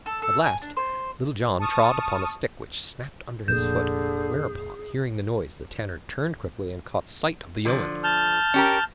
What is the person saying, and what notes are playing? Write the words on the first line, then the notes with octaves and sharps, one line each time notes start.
At last Little John trod upon a stick, which snapped under his foot, whereupon, hearing the noise, the Tanner turned quickly and caught sight of the yeoman.
A4
A4
G#5
D4
C5
A5 C#6 D#6 F6
F1 A#2 D3 G#4 G6
D3 F3
A5 F6 G6
C#4 G4 A#4